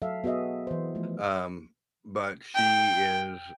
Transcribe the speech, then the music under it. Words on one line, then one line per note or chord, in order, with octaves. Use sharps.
um, but she is
F#3 A4 E5 F5
B3 F#4 G#4 D#5 E5
E3 C5
F3 A3
G5